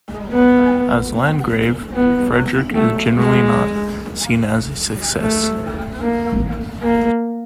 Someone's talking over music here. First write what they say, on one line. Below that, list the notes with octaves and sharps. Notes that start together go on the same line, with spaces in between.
As Landgrave, Frederick is generally not seen as a success.
B3
B3
A3
G#3
A3
A#3
A#3